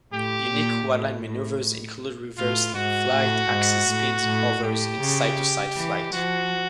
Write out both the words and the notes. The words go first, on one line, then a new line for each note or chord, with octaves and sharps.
Unique quadline maneuvers include reverse flight, axis spins, hovers, and side to side flight.
A2 G4
A#2
A2
A2
A2 F4
G#2 F#4
A2
G#2
A2
A2
A2 G4
C#3
E3
F3 F#4